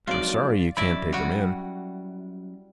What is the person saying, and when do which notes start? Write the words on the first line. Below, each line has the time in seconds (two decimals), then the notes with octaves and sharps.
I'm sorry you can't take him in.
0.07 F2 G#2 F#3 F4 D5
0.77 F#2 E4 D5 E5 B5
1.13 G3 F#4